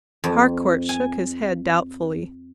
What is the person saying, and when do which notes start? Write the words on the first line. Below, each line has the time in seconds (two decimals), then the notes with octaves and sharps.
Harcourt shook his head doubtfully.
0.24 F2
0.89 G#5